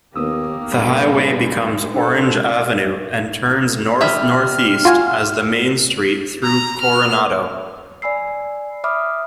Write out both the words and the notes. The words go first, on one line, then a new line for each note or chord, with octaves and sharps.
The highway becomes Orange Avenue and turns north-northeast as the main street through Coronado.
D#2 A#3 B3 G4 D#6 E6
G2 G#3 B4 D5
D4 A4 C5
F3 G3 E5 F6
F4 F#4 G#5
A#5
F6
D5 G#5 B5 E6 C7
C#5 E5 B5 D6 D#6 F6